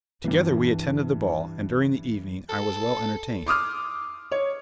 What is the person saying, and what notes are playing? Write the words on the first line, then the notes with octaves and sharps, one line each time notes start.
Together we attended the ball, and during the evening I was well entertained.
G2 E3
A4
C6 D6 D#6 F6
C#5